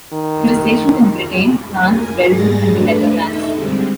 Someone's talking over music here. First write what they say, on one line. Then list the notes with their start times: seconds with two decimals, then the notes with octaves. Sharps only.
He was stationed in Britain, France, Belgium and the Netherlands.
0.13 D#3
1.86 A#4 G#5
2.28 G#2 G3 G#3 G#4 A6 A#6
2.72 A3 D4 B4
3.23 D#4 A4 E5
3.53 D3 G3 G#3 C4